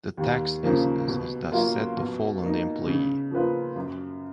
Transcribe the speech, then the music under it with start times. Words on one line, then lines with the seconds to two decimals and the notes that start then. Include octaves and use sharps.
The tax incidence is thus said to fall on the employee.
0.18 D#2
0.63 C#3 F3 A#3
1.08 B2
1.52 F#3 A#3 F4
1.97 B2
2.42 A#3 D#4
2.87 C#3
3.31 F3 A#3 F4 B4
3.76 F#2